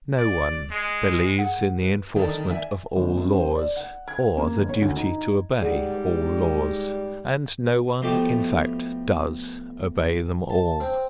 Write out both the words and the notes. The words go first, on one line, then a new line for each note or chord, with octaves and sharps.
No one believes in the enforcement of all laws or the duty to obey all laws, and no one, in fact, does obey them all.
D5
G#3
G#4 F#5
B4
D#3 A4 D5
D5 E5 G#5
G1
F#2
C5
D5
F#5
G#6
A#3
G1
C#5
D2
D#4
G#2 G3 G#4 F#5
B2 F3 A3 G4
A5
C4